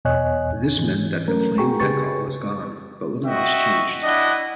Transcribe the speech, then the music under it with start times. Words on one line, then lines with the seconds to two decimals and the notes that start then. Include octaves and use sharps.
This meant that the flame decal was gone, but little else changed.
0.05 E2 B2 C#5 D#5 G#5 F#6
0.76 G#2 E3
1.27 F#3 A3 C#4 A#4
1.58 F#4 G#4 G5 A#5 C#6
1.80 C#3 G4 G#4 B4 C#6 A6
3.26 F#4 D#5 E5 G5
4.02 D4 E4 D#5 F#5